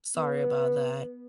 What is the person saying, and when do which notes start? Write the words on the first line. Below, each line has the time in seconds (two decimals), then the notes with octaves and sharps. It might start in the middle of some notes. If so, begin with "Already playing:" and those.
Sorry about that.
0.17 B3